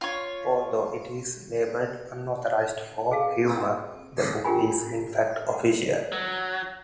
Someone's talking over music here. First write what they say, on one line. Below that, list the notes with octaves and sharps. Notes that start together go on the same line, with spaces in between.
Although it is labeled "Unauthorized" for humor, the book is in fact official.
F4 C#5
G#4 A4 F5
C#4 F4 G4 A#4 G#5 B5
F#3